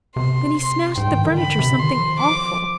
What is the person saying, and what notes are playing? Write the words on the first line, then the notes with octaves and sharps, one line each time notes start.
Then he smashed the furniture something awful.
C3 C6
C6
G#2 G5
D#3
D#3
D3 B5
C3
D3
D#3 C6
F3
D6